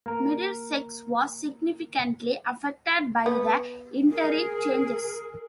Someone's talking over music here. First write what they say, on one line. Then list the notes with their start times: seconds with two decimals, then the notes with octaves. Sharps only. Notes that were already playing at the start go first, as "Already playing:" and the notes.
Middlesex was significantly affected by the interim changes.
0.06 A#3 A#4
3.26 B3
4.11 G#4 A#4